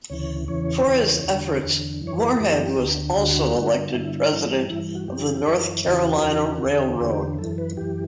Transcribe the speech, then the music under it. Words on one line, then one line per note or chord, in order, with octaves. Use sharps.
For his efforts, Morehead was also elected president of the North Carolina Railroad.
D2 C#3 E3 C#5
E2 C#3 E3 C#5
E2 C#3 E3
E2 D3
E2 D3
F#2 E3
C#5
B4
A4
F#2 E3 G4
D2 D3
D2 D3 F#4
G2 D3
G2 D3 E4
G2 E3
G2 E3 E4
F#4
F#2 E3 G4
F#2 E3
E2 C#3 E3 F#4
E2 C#3 E3
E2 D3
E2 D3 G4
F#2 E3 A4
B4
F#2 E3 G4